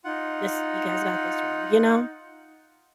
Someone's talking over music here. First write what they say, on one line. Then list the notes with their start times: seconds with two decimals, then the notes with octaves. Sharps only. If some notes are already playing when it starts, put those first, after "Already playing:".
This You guys got this wrong, you know?
0.05 D#4 F4 F#5